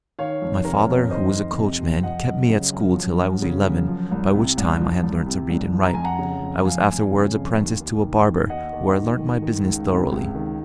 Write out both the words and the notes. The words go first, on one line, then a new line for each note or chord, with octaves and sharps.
My father, who was a coachman, kept me at school till I was eleven, by which time I had learnt to read and write; I was afterwards apprenticed to a barber, where I learnt my business thoroughly.
D#3 C#5 F5
F2
C3 A#4 C#5
F2
D#3 C5 D#5
F2
C3
F2
F3 D#5 F#5
F#2
C#3
F#2
F3
F#2
C#3
F#2
F3
C2
C3
C2
F3
C2
C3
C2
F3
A#5
F2 G#5
F#5 A#5
C#3
F2
F3 F5 G#5
F2
C#3
F2
D#2
D#2
D#3
D#3
D#2 D#5 F#5
D#2
D#3
D#3
D#3
C#2
C3
C#2
D#3